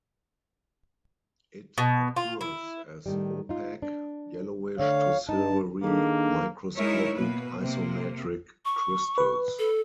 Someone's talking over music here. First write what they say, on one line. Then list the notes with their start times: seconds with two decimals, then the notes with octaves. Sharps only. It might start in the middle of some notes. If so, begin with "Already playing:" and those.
It occurs as opaque, yellowish to silvery microscopic isometric crystals.
1.78 B2
2.16 F4
2.41 E4
3.06 A2 D#3 G3
3.49 D#4 F4
3.82 D4
4.79 D3 A3 C#5 F5
5.29 G2 D#4 A5
5.84 D#3 A#3 D4 G#4 A4
6.76 G#3 D#4 E4 A#4 C#5 E5
7.14 B2 A#3 B4
7.60 C3 A#3
8.65 C#6
9.18 B4
9.59 A4